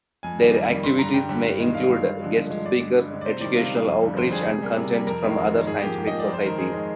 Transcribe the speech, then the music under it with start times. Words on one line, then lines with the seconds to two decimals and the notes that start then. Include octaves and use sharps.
Their activities may include guest speakers, educational outreach, and content from other scientific societies.
0.23 F2 G#5
0.39 D#3 G3 A#3
0.54 F2
0.68 D#3 G3 A#3
0.84 G2 C6
0.98 D3 G3 A#5
1.14 G2 G5
1.29 D3 G3
1.45 G2
1.60 D#3 G#3
1.74 G2 F5
1.90 D#3 G#3
2.04 G2
2.20 D3 F3 G#3
2.36 G2
2.50 D3 F3 G#3
2.65 G2 D5
2.80 D3 G#3
2.96 G2
3.11 D3 G#3
3.21 D5
3.26 C3 C5
3.41 D#3 G3 D5
3.56 C3 F5
3.71 D#3 G3
3.86 F2
4.02 D3 G3
4.17 F2 C5
4.31 D3 G3 G#4
4.47 C3
4.62 G3 A#3
4.77 C3
4.92 G3 A#3
5.07 F2 A#4
5.22 D#3 G#3
5.38 F2
5.53 D#3 G#3
5.67 G#2 G#4
5.82 F3 A#3 G4
5.98 G#2
6.07 D#5
6.13 F3 A#3
6.20 D5
6.28 F2 C5
6.43 D#3 G#3 A#4
6.58 F2 G#4
6.73 D#3 G#3 A#4